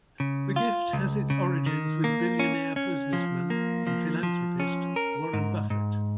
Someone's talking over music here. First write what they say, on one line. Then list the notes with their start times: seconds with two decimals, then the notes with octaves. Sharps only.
The gift has its origins with billionaire businessman and philanthropist, Warren Buffett.
0.20 C#3
0.56 F4
0.93 C#2
1.30 C#3
1.66 D#3
2.04 A#3
2.39 C#4
2.76 C#4
3.13 F3
3.50 A#3
3.87 F3
4.23 F3
4.60 C#4
4.96 A#4
5.33 G#2
5.70 G#2